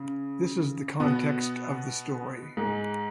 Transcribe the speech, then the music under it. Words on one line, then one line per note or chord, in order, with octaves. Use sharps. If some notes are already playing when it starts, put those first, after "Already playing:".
This is the context of the story.
Already playing: C#3
B2 B3
G#2 G#3